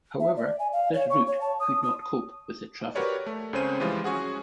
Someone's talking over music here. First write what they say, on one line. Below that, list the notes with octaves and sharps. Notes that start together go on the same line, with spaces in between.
However this route could not cope with the traffic.
E5
D5
G#5
F5
C#5
C#6
C#5
A5
D#6
D#6
F#4 G4 A#4 B4 C#5 D5
A3
C#2 C#3 C4 C#4 C5 D#7
E3 F3 G3 G#3 F4
C#4 F#4 G#4 F#5